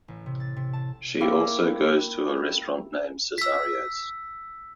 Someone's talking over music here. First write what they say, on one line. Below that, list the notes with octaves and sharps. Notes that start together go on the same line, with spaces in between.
She also goes to a restaurant named "Cesario's".
A1
C3
A6
C3
A5
A#3 E4 G5 D6
E6 B6